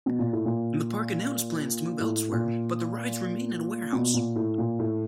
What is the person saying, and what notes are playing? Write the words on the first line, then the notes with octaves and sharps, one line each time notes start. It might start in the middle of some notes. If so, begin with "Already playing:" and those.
The park announced plans to move elsewhere, but the rides remained in a warehouse.
B2
A#2
A2
A#2
A2
A#2
B2
A#2
A2
A#2
A2